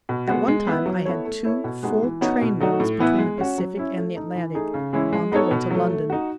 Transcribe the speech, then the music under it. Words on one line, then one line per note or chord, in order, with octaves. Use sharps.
At one time I had two full trainloads between the Pacific and the Atlantic, on their way to London.
B2
G#3 B3 F#4
G#3
B3 E4 B4
F#3
B3 E4 A4 C#5
A3
E4 A4 C#5
B2
G#3 B3 D#4 F#4
E3
B3 D#4 F#4 C#5
B2
F#3 A3 D#4 F#4
A2
E3 B3 E4 B4
G#3
C#4 F#4
F#3
C#4 E4
A3
D#4 A4
E3
A3 D#4 G#4
C#3
E3 G#3 C#4 E4
G#3
B3 D#4 A4 C#5
B2
F#3 A3
A3
D#4 F#4